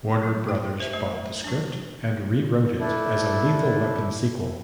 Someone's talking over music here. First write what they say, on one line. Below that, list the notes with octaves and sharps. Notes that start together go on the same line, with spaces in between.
Warner Brothers bought the script and rewrote it as a "Lethal Weapon" sequel.
F#3
G5
C5 E5
A3 C5
F#3 D4
A3 D4 E4